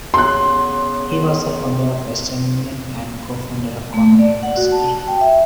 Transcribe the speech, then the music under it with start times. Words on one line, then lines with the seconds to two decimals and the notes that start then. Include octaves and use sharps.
He was the founder of Western Union and a co-founder of Cornell University.
0.14 C#3 B3 C6 F#6
3.94 A3
4.19 D5
4.43 F#5
4.57 F#4
4.72 A5
5.08 G5
5.21 E5